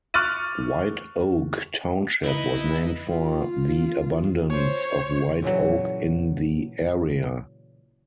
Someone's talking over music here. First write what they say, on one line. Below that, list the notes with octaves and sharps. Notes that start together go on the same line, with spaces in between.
White Oak Township was named for the abundance of white oak in the area.
C#6 D6 F6 F#6 A6 D#7
D#4 E4 B4 D#5
F4
C5 C#5
A#2 C#3 E3 F#3